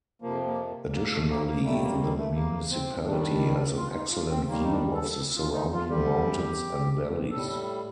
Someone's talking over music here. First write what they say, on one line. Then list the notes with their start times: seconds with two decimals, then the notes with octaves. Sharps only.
Additionally, the municipality has an excellent view of the surrounding mountains and valleys.
0.22 F2 C3 F3 A#3
0.45 A#3
0.93 A#3
1.11 A3
1.29 A#3
1.46 A#3
1.64 D#2 D#3 G3 A3
1.82 A#3
1.92 A3
2.00 A#3
2.16 A3
2.35 A#3
2.71 C4
3.05 D#2 D#3 G3 D4
3.76 F4
3.95 D#4
4.12 F4
4.30 C4
4.48 D#2 D#3 G3 A#3
4.64 D#4
4.71 D4
4.94 A4
5.36 F4
5.53 D#4
5.72 F4
5.89 D2 D3 G3 G4
7.31 A2 G3 A4